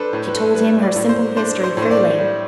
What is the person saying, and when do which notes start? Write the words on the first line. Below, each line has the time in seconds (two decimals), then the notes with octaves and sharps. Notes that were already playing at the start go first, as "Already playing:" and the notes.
She told him her simple history freely.
Already playing: D4 A4 B4 C5
0.13 A2
0.27 B4
0.35 A4
0.55 G3 B4
0.82 D5
0.96 A2
1.09 C5
1.36 D4 C5
1.63 C5
1.77 A2
1.82 C5
1.91 D5
2.18 G3